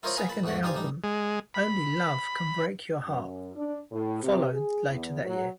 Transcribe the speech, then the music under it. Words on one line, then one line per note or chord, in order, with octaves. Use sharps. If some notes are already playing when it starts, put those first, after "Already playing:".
Second album "Only Love Can Break Your Heart" followed later that year.
E4 F4 A#4 C5 C#5 D#5
G#4 B4 F5 G#5 A#5
A#2 A5 B5
E2 G#2 A3 F#4 F#5
C4 D#4 G4 D5 F5 G#5
A1 G3 D4 D#4
G#3
B5
F#2
D4
A2
C3
G#4
E2
F#3